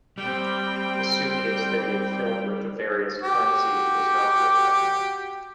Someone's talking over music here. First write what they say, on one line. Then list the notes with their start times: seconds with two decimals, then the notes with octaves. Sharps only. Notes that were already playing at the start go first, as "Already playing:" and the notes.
The suitcase that he had filled with the various currencies was not with them.
0.18 G3 C4 G5
3.22 F#4 G4